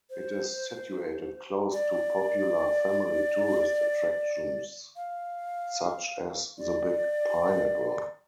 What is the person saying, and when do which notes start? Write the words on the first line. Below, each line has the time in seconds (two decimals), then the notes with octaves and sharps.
It is situated close to popular family tourist attractions such as The Big Pineapple.
0.10 C5
1.72 D5
4.96 F5
6.58 D5